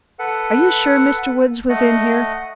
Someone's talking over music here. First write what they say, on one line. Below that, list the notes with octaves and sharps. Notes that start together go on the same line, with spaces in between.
"Are you sure Mr. Woods was in here?"
A4 B4 F#5
A3 D#5 F#5